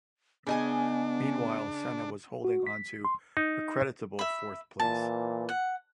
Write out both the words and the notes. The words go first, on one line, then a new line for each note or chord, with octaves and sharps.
Meanwhile, Senna was holding onto a creditable fourth place.
C#3 B3 D4 D#5 G#5
F#4
B6
C6
D#4
E5 B5
A#2 E3 A5
F#5